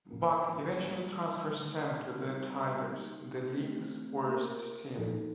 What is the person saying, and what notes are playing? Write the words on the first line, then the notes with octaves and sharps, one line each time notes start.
Buck eventually transfers Sam to the Tigers, the league's worst team.
A2 F3 A#3 F4 A#4
G3 A#3 D4 G4
D3 A3 D#4
G3 C4 D#4 A#4
A#3 D#4 G4
A3 C4 G4
A#3 F4 A#4
A2 F3 A#3 D#4 A4